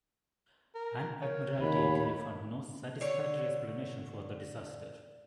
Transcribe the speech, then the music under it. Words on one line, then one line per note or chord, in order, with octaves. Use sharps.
An Admiralty enquiry found no satisfactory explanation for the disaster.
A#4
A#4 C#5
D#2 B5
D3 C#5